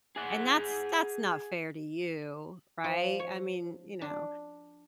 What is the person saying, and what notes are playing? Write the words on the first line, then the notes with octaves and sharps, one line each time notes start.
and that's that's not fair to you, right? I mean, you know,
G#4 F#5
F3
C#5
D4